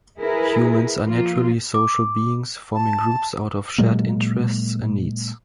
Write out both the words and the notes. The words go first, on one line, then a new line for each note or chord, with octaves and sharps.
Humans are naturally social beings, forming groups out of shared interests and needs.
E4 G#4 A#4 B4
F3 A#3 F4
D6
A5
A#2 F#3 G#3 A#3